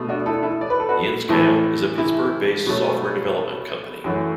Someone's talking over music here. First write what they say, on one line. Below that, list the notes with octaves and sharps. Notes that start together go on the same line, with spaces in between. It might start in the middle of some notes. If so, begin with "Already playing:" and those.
YinzCam is a Pittsburgh-based software development company.
Already playing: B2 A3
D4 F#4
E4 A4
E4 A4
D5
B4
A4
F#4 B4
A2 E3 A3 E4 A4
E4
B2 F#3 A3
F#2 E3 A3